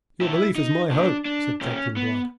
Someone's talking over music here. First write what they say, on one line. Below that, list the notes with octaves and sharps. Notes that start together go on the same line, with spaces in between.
"Your belief is my hope," said Captain Blood.
A#2 E4
D#4
A#2 D4
D4
A#2 C#4
B3